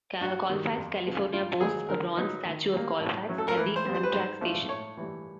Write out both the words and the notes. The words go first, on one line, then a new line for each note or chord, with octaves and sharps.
Colfax, California boasts a bronze statue of Colfax, at the Amtrak station.
G2 F#4
D#3 G3
F2
C#3 F3 G#3 B3
G2 F4
D#3 F#3 B3 D#4 G#4
D3 A#4
F#3 B3 D#4
D#3
G3 A#3
A2
F#3 A3 C#4
A4
A#4
E3 B4
C5
G3 C4
C5
B4
G#2 C5
F3 A3 D4
A2 C#5
E3 G3